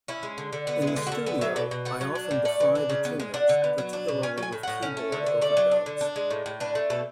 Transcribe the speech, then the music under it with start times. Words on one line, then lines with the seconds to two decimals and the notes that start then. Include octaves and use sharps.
In the studio, I often defy the tuners, particularly with keyboard overdubs.
0.08 C#4 E4
0.23 G#3
0.38 D3
0.53 D3
0.67 B3 F#4
0.82 G#3
0.87 E4
0.96 D3
1.07 F#4
1.12 D3
1.26 B3 G#4
1.41 F#3 E5
1.56 B2 D5
1.71 B2
1.85 A3 F#5
2.01 F#3
2.15 D4
2.31 A2
2.45 A3 D5
2.60 E3
2.75 D4
2.90 C#3
3.05 B3
3.20 G#3
3.34 D4 F#5
3.49 D3
3.64 B3
3.78 F#3
3.93 D4
4.08 B2
4.23 C#4 G#5
4.38 F#3
4.43 G#5
4.53 A2
4.63 A2 F#5
4.82 C#4
4.97 A3
5.12 D3
5.26 D3
5.41 A3 D5
5.57 F#3
5.71 D4
5.86 D3
6.01 D4
6.16 G#3
6.31 A2
6.46 A2
6.60 D4 B4
6.75 A3
6.90 B2 A4